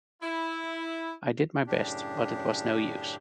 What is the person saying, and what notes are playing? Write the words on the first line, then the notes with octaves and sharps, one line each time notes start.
I did my best, but it was no use.
E4
F#2 A2 C#3 D4 G4